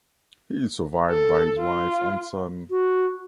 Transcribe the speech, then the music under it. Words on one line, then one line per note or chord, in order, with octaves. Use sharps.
He is survived by his wife and son.
A4
F4
F#4